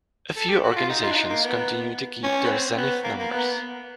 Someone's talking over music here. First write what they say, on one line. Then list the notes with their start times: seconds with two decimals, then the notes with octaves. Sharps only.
A few organizations continue to keep their Zenith numbers.
0.36 A4
0.49 G4
0.64 F#4
0.76 F4
0.89 D#4
1.03 F4
1.11 D4
1.16 D#4
1.30 A#3
1.43 B3
2.24 C#4
2.45 B3
2.50 C4
2.77 B3
3.04 A#3
3.19 A#3
3.31 B3